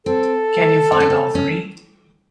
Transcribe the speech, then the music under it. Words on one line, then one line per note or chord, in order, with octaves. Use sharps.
Can you find all three?
C4 A4
C4
C#4
C4
C#4